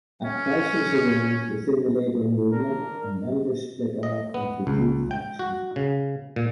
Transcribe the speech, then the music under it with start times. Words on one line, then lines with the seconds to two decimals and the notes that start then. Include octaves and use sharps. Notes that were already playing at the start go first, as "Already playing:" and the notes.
A crisis arose within the labour movement and members split off into two factions.
0.25 C#4
2.50 D4 A#4
4.03 D#5
4.34 B3
4.67 C#2
5.11 G5
5.39 F#4
5.76 C#3
6.36 A#2